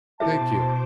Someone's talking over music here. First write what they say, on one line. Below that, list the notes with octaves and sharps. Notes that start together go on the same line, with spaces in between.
Thank you.
B2 E4 G#4 C5 E5 A5 D6